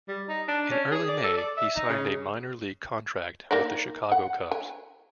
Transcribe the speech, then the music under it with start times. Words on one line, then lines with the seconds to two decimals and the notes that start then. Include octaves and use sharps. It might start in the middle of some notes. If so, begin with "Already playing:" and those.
In early May, he signed a minor league contract with the Chicago Cubs.
0.08 G3
0.29 D#4
0.48 D4
0.72 C#4
0.91 G#4
1.08 D5
1.24 A4
1.37 D5
1.57 E5
1.76 D#4
1.89 C#3
3.51 A#3 D#4 D5
4.12 F#5
4.51 G#5